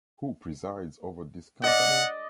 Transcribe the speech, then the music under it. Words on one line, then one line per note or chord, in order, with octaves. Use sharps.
Who presides over this company?
D5 D#5 F#5